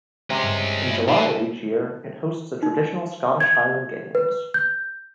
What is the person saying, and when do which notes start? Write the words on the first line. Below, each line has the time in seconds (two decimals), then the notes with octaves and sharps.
In July of each year it hosts a traditional Scottish Highland Games.
0.30 C3 G#3 C#4
0.44 G2
0.91 E4
1.08 B2 E3 A3 D#4
2.63 D#4
3.40 G#6
4.15 B4
4.54 G6